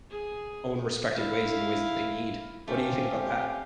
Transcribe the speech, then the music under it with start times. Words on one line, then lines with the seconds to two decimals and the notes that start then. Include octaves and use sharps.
own respective ways and the ways that they need. What do you think about that?
0.11 G#4
1.13 E4 F5
2.68 A3 C4 C#4 G4 C5 F5